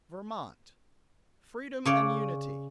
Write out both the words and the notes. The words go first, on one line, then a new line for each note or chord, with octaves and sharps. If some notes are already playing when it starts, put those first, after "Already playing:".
Vermont--Freedom and Unity.
C#3 C#5 D5